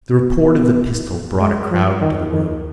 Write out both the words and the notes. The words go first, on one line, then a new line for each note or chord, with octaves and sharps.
The report of the pistol brought a crowd into the room.
B3
B3
G#3
F3
D#3
D#3